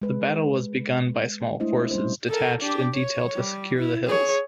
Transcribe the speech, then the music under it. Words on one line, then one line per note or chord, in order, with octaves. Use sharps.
The battle was begun by small forces detached in detail to secure the hills.
G#3 B4
G#3 A3 D4 E4 C5 D#5
G3 C4 C#4 C5
A4 A#4
D4 G4
C#5
G3
E4
G#4 C#5